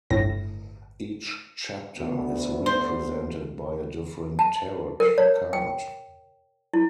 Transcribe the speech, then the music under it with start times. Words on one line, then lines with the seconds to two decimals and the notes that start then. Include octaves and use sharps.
Each chapter is represented by a different Tarot card.
0.10 G1 C2 A2 A#6
1.98 D2 B3
2.66 C5
4.39 A5
5.00 A#4
5.18 C#5
5.53 G5
6.74 E4